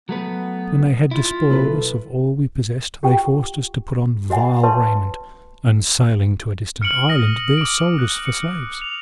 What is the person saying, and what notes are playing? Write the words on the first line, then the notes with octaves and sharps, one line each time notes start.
When they had despoiled us of all we possessed, they forced us to put on vile raiment, and sailing to a distant island there sold us for slaves.
F#3 A3 B3 B4
E4 F4
B1 E4 A4 B4
F4 G4 F#5 G5 C#6
F#4 D#5 E5 F#5 G#5
B4 C#5 E5 A5 C6 C#6
F6 C#7 D7 F#7
D#6 F6 A#6 D#7
D6 D7
F#6
C#7
F7